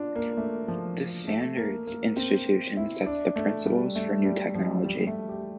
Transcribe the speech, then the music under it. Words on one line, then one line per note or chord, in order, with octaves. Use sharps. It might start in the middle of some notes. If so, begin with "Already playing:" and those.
This standards institution sets the principles for new technology.
Already playing: D4 F4
A#3
A3
F3
A3
A#3
A#3
C4
E4
D4
A3
G3
A3
G3
F3
G3
A3
G4